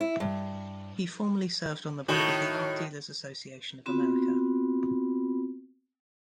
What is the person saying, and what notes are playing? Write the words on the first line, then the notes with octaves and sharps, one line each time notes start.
He formerly served on the board of the Art Dealers Association of America.
E4
G2
A2 D#3 F#4
B3 C4 F4 F#4 B5